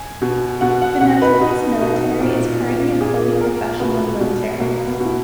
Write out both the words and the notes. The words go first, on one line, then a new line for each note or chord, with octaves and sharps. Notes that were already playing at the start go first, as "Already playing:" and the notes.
The Netherlands' military is currently a fully professional military.
Already playing: G#5
B2
B2 F#5
F#5
B2 F#5
B4
B2 D#4
B2 D#4
A#2
A#2
A#2 G#4
A#2 A#4
B2 B3
B2
B2 A#3
B3
B2 E4